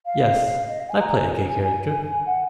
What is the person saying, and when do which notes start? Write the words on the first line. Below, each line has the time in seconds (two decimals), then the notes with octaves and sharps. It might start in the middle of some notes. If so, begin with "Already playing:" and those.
Yes, I play a gay character.
0.05 F5
0.69 D#5
0.80 F5
0.89 G#5
1.00 A#5
1.16 G#5
1.48 G#5
1.63 G#5
2.26 F#5